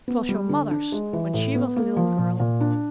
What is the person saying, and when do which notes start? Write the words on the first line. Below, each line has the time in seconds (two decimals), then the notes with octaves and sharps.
"It was your mother's when she was a little girl."
0.08 B3
0.29 G3
0.49 D3
0.71 D4
0.92 G#3
1.13 E3
1.34 A2
1.55 B3
1.76 A#3
1.97 F3
2.18 A#2
2.40 A#2
2.61 D4